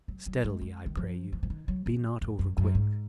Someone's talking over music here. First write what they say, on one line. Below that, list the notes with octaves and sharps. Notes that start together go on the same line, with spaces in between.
Steadily, I pray you; be not over-quick.
F#3
F#3
G#3
G#3
D#3
F3
F3
F3
D#3
F#3
F3
F2
F#2
F#2
G#2